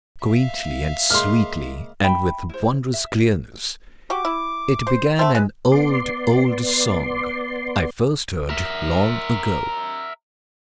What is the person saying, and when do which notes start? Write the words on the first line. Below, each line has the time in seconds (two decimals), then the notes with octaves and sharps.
Quaintly and sweetly and with wondrous clearness it began an old, old song I first heard long ago.
0.24 E5 F5
1.10 C#3 G#3 A#3 C6 F6
2.03 E5 G5 B5
2.49 E4 C5
2.94 E5
4.10 F#4 G4 D6
4.25 E4
4.87 C5
5.19 A3 C4
5.35 G#3 B4
5.72 B3 D5 C6
8.50 A#4 E5